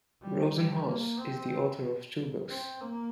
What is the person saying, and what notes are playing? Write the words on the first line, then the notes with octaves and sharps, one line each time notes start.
Rosenhaus is the author of two books.
G3
G3
A#3
C4
C4
A#3